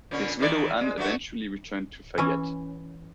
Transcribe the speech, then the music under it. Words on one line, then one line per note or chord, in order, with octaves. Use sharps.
His widow Ann eventually returned to Fayette.
A#2 D3 C#4
D#3 E3 D5
G#3
G2 A3 F#4
E3 C#4